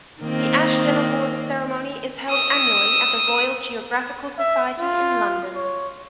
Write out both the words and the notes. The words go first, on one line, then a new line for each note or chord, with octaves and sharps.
The Ashden Awards ceremony is held annually at the Royal Geographical Society in London.
D#3 A#3 C4
D#6 E6
E5
F4
C#5